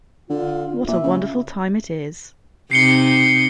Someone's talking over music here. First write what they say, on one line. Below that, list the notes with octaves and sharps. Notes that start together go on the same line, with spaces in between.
What a wonderful time it is!
D3 F4
A#2 E5
C#3
C3 D#4 C7 C#7 G7